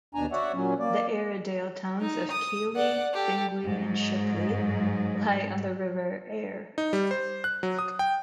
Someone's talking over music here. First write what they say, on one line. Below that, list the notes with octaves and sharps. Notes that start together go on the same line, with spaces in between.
The Airedale towns of Keighley, Bingley and Shipley lie on the River Aire.
D#2 B2 D4 G#5 A#5
F#4 C#5 D5 E5 F#5
A#2 F#3 C#4
A#3 D5
D#4
D#6
D5 F#5
G4 A4
G#2 F#3
D#4
G3
C5
F#6
F#3
D#6
G5